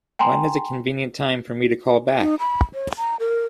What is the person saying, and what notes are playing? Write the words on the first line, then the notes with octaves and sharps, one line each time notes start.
When is a convenient time for me to call back?
G5 G#5 A#5 C6
D#4
B5
C#5
A#5
A#4